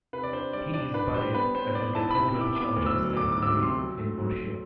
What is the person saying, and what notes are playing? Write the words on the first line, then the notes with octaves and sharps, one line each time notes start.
He is buried at the Cathedral Church of Saint Mary in Murcia.
C3 B4
D5
D4 C5
G3 D5
D4 D5
D4 B4
G3 C5
B3 B4
B3 C5
B3 D5
E4 A5
C3 B5
E4
D6
B3 D6
D2
E6
F#3
D2 D6
F#3 D6
E6
D6
C3
C6
F#3
A3
F#3
F#3